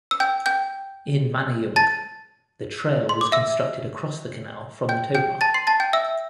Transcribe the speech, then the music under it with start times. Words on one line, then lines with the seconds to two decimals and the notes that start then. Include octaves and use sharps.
In Manayunk, the Trail was constructed across the canal from the towpath.
0.11 E6
0.20 G5 G6
0.46 G5 G6
1.76 A5 A6
3.09 C6
3.21 D6
3.32 E5 E6
4.89 G5 G6
5.15 G5 G6
5.41 A5 A6
5.54 C6 C7
5.67 A5 A6
5.80 G5 G6
5.93 E5 E6